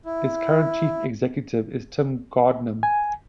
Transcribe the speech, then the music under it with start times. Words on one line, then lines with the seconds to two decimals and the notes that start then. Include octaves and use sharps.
Its current chief executive is Tim Gardam.
0.06 E4
2.83 G#5